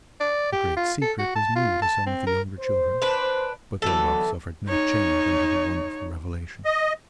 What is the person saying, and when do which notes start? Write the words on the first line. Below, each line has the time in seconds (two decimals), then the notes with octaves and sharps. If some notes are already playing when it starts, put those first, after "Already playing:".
The great secret was new to some of the younger children, but their love suffered no change under the wonderful revelation.
0.20 D5
0.52 G4
0.77 F4
1.01 A4
1.19 F#4
1.36 A5
1.55 F4
1.82 A5
2.06 C4
2.27 A#4
2.59 C5
3.02 D4 B4
3.82 D3 E3 F#3 B3 A4
4.67 D#4 C#5
6.65 D#5